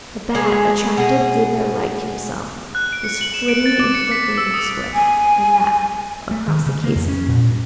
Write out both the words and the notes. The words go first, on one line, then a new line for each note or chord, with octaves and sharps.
A bat, attracted thither like himself, was flitting and flickering, this way and that, across the casement.
G#3 G#4 A4 B4
B2 G#4
F#6
D7
C#7
F#7
E7
D7
A6
D6
C#7
B6
E6
D#6
G#5
A3
D#3
C#3
A#3
F2
C#4
A#2
G2